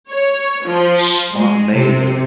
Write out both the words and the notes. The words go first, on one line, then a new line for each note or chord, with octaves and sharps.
spontaneity of it,
C#5
F3
G#3
C3